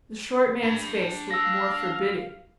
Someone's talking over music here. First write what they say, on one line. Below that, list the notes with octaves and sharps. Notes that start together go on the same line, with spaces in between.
The short man's face looked more forbidding.
D4 B5
F5 E6 A#6